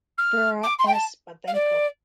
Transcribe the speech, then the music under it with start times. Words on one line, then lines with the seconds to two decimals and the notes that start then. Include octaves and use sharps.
Vera S. Babenko.
0.18 F6
0.63 D6
0.79 C6
0.87 G5
0.94 A5
1.47 F5
1.54 D5